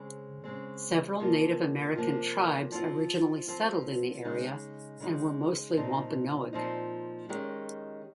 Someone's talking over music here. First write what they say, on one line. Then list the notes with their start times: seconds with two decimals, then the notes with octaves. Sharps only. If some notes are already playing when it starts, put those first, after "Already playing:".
Several Native American tribes originally settled in the area and were mostly Wampanoag.
Already playing: C#3 G#3 C4
0.44 C#3 G#3 C4
1.20 C3 F3 A#3 F4
1.95 C3 F3 A#3 F4
2.72 F3 C4 F4
3.48 F3 C4 F4
4.25 C#3 G#3 D#4
5.00 C#3 G#3 D#4
5.76 A#2 F3 C4 D#4
6.53 A#2 F3 C4 D#4
7.29 D#3 G#3 C#4 G4